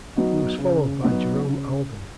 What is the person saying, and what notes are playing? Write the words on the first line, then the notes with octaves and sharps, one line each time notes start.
He was followed by Jerome Alden.
F#3 B3 D#4 F#4
C#3
F#3 B3 D#4 F#4
C#3